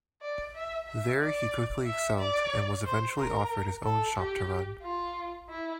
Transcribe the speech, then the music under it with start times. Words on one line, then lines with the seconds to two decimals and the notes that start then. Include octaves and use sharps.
There he quickly excelled, and was eventually offered his own shop to run.
0.22 D5
0.55 E5
0.87 E5
1.20 D5
1.86 E5
2.19 D5
2.85 C5
3.18 A#4
3.84 A4
4.17 G4
4.83 F4
5.49 E4